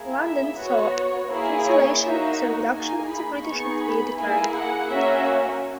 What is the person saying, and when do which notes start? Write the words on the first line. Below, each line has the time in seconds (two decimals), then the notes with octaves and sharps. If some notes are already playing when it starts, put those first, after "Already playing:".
London saw cancellation as a reduction in the British nuclear deterrent.
Already playing: A#3 E4 G#4
0.20 E5
0.57 B3 F#4 C#5
0.92 C#5
1.29 A#3 E4 G#4
1.65 C#5
2.01 A#3 D#4 F#4 E5
2.74 A#3 D#4 G#4 G#5
3.09 B5
3.46 B3 D#4 G#4 C#6
3.82 B5
4.18 A#3 E4 G#4 G#5
4.54 F#5
4.90 A#3 C#4 F#4 E5